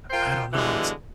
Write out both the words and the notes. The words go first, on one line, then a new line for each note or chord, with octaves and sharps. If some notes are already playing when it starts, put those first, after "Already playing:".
I don't know. It's
F4 A#4 C5 G5
B2 D3 E3 G3 G#3